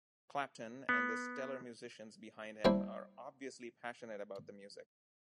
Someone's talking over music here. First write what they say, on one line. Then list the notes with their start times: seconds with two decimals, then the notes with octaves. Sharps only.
Clapton and the stellar musicians behind him are obviously passionate about the music.
0.89 B3
2.65 G3 A#3 D4 E4 C5